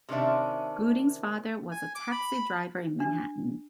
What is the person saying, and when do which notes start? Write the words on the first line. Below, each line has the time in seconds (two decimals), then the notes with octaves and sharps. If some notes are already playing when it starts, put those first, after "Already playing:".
Gooding's father was a taxi driver in Manhattan.
0.09 C3 D#3 C#4 D4 E5
1.71 G#5
1.95 D6
2.12 B5
3.00 D4